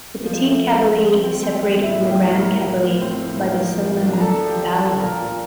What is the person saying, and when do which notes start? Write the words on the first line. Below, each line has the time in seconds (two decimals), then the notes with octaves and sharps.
The Petite Kabylie is separated from the Grande Kabylie by the Soummam Valley.
0.24 F3
0.44 A3
0.63 A3
0.84 F3
1.04 C4
1.24 C4
1.43 C4
1.63 C4
1.82 A2 E4 E5
2.03 A#3
2.09 G4 G5
2.23 A2
2.35 A#4 A#5
2.42 A#3
2.63 A2
2.82 A2
3.01 C4
3.22 A2
3.42 A#3
3.61 F3
3.81 A2
4.02 D4
4.13 A#5
4.21 D4 A4 A5
4.41 F3
4.48 G4 G5
4.61 F3
4.74 A4 A5
4.80 D4
5.00 A#2 A#4 A#5
5.20 A#2